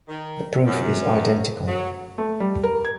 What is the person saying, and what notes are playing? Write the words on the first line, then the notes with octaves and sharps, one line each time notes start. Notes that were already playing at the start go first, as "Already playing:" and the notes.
The proof is identical.
D#3
F#2
F#3
A3
G3
A#4
G#6